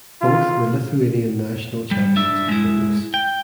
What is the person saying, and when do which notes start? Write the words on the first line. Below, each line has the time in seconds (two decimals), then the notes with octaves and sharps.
Both were Lithuanian National Champions in Fitness.
0.21 F4
1.91 G3
2.16 D4 E5
2.48 G#3 E4
3.14 G5